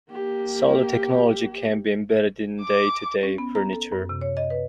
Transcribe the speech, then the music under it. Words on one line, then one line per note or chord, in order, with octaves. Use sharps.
Solar technology can be embedded in day to day furniture.
A#3 G4
D6
C#4
B3
A#5
A4
F#2
C3
C#5
D#5
B4